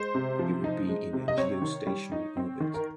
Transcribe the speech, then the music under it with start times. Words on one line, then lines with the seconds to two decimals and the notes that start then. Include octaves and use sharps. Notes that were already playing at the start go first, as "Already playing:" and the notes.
It will be in geostationary orbit.
Already playing: G#3 C5
0.15 C3
0.39 F3
0.64 D#4
0.89 G#3
1.13 C3
1.28 D#5
1.37 C4 C#5
1.62 D#3
1.87 G3
2.12 D#4
2.37 C4
2.60 D#3
2.74 A#4